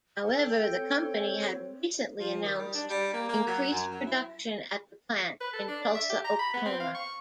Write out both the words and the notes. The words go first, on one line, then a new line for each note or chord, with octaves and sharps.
However, the company had recently announced increased production at the plant in Tulsa, Oklahoma.
A4 G5
C4 C#5
F3
D#3
G3
D4
G3
A#3
A#3
F#3
F#2
F#3
E4
B4
A4
D4
D5
E5
G4
A#5
B5
B3
C4
F5
C#6